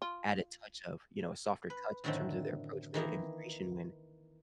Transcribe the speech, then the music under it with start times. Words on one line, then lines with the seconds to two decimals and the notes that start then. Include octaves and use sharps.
add a touch of, you know, a softer touch in terms of their approach with immigration when,
0.02 F4
1.70 B4
2.04 F#2 A2 D3 D#3 A3 C4
2.94 D#3 E3 A#3 D#4